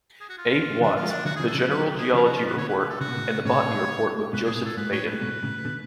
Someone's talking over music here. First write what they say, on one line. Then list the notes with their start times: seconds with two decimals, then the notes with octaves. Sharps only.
A. Watt, the general geology report, and the botany report with Joseph Maiden.
0.20 G#4
0.29 F#4
0.38 F4
0.81 D3 F#3 D4
0.96 F4
1.03 F3 G#3
1.10 D4
1.25 D3 F#3 F#4
1.36 C#3 F3 G#4
1.47 A4
1.55 C#3 F3
1.58 B4
1.69 D3 F#3 B4
1.98 G#4
2.13 C#3 F3 F4
2.25 F#4
2.36 F4
2.47 B4
2.57 B2 D3 C#5
2.69 B4
2.80 B4
2.90 A4
3.01 C#3 F#4
3.09 B2
3.16 A2 C#3
3.45 A2 C#3 C#5
4.33 G#2 B2 B4
4.44 G#4
4.48 A2
4.55 B2 G#4
4.62 A2
4.66 A4
4.77 G#2 B4
4.92 A2 C#5
5.06 A2 B4
5.21 G#2 B2
5.43 A2 C#3
5.65 B2 D3